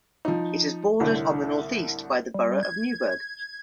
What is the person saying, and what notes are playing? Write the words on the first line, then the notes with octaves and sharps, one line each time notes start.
It is bordered on the northeast by the borough of Newburg.
F3 D#4
C2 A2 D3
G3
G#6